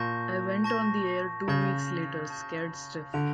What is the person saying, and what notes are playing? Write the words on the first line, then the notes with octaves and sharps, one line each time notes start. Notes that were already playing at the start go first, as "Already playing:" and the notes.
I went on the air two weeks later, scared stiff.
Already playing: A#2 A5 C#6 G6 A#6
A5 C#6 G6 A#6
C#3 A5 C#6 G6 A#6
A5 C#6 G6 A#6
D3 G6 D7 F7